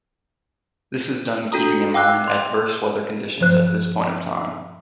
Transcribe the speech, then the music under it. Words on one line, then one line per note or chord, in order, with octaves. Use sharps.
This is done keeping in mind adverse weather conditions at this point of time.
D4 F#4 A4 A#5 D#6
F5 G5 D6 E6 F#6
C6
G2 F3 F#3 C5 F#6